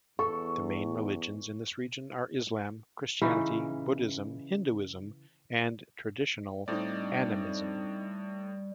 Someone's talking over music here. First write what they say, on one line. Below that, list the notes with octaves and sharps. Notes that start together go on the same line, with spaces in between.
The main religions in this region are Islam, Christianity, Buddhism, Hinduism and traditional animism.
E2 A4 C#6
C#3 E3 C#4 D#4
A2 G3 C4 D4 D#4 D5